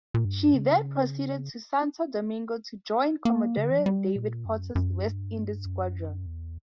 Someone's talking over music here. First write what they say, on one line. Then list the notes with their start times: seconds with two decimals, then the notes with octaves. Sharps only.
She then proceeded to Santo Domingo to join Commodore David Porter's West Indies Squadron.
0.14 A#2
0.25 G2
0.55 C#3
3.25 A#3
3.57 C#3
3.65 D3
3.71 E3
3.79 F#3
3.86 G3
4.16 A#2
4.45 F#2
4.75 F#2
5.05 G2
5.65 F#2
6.26 E2